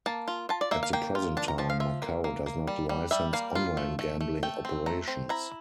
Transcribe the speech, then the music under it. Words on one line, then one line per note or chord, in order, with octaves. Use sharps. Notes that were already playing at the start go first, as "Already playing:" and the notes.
At the present time, Macau does not license online gambling operations.
A#3 A5
F4
F4 A5
D5
A#3 E5
F5
A#3 G5
F4
D4 A5
A#5
F3 A5
F5
F4 E5
A#3
A#3
A#3
G3
G3
G3 E5
A#3 F5
F4
A3
A3
A3
A3 G5
C4
A3 A#5
C4
E4 A#5